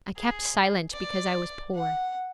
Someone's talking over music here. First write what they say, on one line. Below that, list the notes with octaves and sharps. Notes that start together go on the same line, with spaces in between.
I kept silent because I was poor.
G#4
D5
F#5